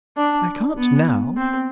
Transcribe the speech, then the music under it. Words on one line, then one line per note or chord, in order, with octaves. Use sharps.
"I can't now."
D4
B3
C4